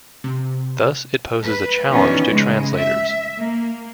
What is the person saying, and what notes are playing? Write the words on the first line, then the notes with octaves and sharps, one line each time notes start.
Thus, it poses a challenge to translators.
C3
B4
B2 D#3 E3 B3 C#4 D4
C#3 G#3
E5
A#3